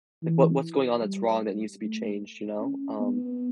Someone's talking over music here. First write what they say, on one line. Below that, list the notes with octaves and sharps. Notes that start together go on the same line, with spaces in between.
Like what what's going on that's wrong that needs to be changed, you know? Um
E3
G3
A3
C#4
B3